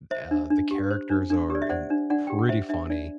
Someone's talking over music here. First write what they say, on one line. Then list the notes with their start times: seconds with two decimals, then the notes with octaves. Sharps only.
Uh, the characters are in pretty funny.
0.11 C5 E5
0.31 D4
0.50 D4
0.71 G4
0.90 C5
1.10 D4
1.30 D4
1.50 G4
1.55 D5
1.62 E5
1.69 C5 D5 F#5
1.90 D4
2.10 D4 D5 F#5
2.27 G4 G5
2.39 F#5
2.49 C5 E5
2.69 D4 E5
2.90 D4 D5